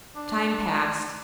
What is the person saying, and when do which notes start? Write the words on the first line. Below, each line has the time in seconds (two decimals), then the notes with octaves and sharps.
Time passed.
0.16 D4